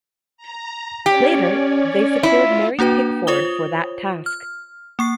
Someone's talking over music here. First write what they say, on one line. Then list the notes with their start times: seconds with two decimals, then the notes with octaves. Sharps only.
Later, they secured Mary Pickford for that task.
0.37 A#5
1.06 C#4 G4 C#5 D5
2.23 E4 F4
2.79 A#3 D4 F#4 B4 G5
3.27 F4 C5 C#5 D#6 G7
4.26 F6
4.99 A#3 C#6 C7